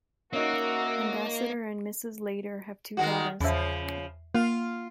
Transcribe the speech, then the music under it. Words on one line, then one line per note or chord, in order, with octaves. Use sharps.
Ambassador and Mrs. Lader have two daughters.
A#3 C#4 D#4 F#4 A#4 E5
D#3 G#3 F#4
E2 C#3 F3 E5
A#3 F4